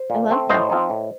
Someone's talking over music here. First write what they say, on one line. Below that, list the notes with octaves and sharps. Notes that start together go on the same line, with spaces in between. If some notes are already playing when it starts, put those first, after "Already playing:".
I love that.
Already playing: C5
A#2
A3 C4
A2 C5 D#5
F3 C4 D#4
A2